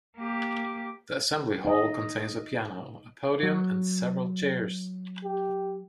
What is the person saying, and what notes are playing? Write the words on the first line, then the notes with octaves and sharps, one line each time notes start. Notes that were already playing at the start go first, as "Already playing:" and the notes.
The Assembly Hall contains a piano, a podium and several chairs.
A#3 G4
D#4 D#5
F#3
G4